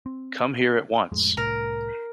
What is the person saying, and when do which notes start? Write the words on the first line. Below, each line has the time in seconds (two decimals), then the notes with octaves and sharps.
Come here at once.
0.06 C4
1.12 F2 A2 G#3
1.37 C2 A2 A#4